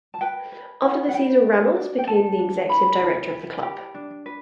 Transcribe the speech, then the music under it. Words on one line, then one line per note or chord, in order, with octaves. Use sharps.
After the season, Ramos became the executive director of the club.
A5
B4 G5
B4
E4 F#5
F#5
E4 G5
D4
D4
G5
A4 A5
D4
E4 B5
E4
E4
G4
D4
B4